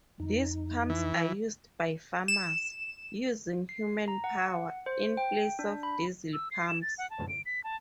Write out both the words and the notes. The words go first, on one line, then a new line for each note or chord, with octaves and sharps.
These pumps are used by farmers, using human power, in place of diesel pumps.
F2 D#4
E3
E7
C7
A#5
F#5
C5
G5
D4
B5
E6
C7
E7
A6
F#5
A5
D7
B6
A5